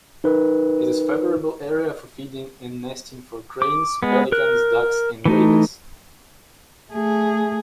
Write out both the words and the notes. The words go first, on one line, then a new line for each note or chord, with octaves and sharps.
It is favorable area for feeding and nesting for Cranes, Pelicans, Ducks and Waders.
D#4 A#4 B4
D6
G#3 B3
A#4 F#6
E3 A3 D#4
A3 G#4